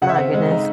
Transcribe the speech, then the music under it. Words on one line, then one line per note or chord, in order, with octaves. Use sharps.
My goodness.
C#3 F#5
E5
C4 F#5
G#3
D#4